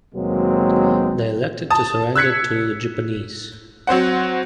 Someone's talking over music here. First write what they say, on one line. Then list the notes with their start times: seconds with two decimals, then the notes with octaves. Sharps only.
They elected to surrender to the Japanese.
0.14 D#2 B2 F#3 G#3 A#3 C4
1.70 A5 D#6
2.15 E6 F#6 G#6 B6 C#7
3.87 F#3 C4 C5 F#5